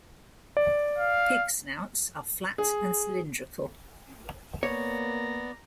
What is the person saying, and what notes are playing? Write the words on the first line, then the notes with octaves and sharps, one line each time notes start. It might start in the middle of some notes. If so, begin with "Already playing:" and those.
Pig snouts are flat and cylindrical.
D5
F5
G#4
A#3 B3 C#5 D5 A#5